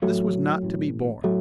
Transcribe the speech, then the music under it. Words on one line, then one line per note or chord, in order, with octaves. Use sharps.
This was not to be borne.
A1 A2 F#3 A3
A1 A2
A2 F#3 A3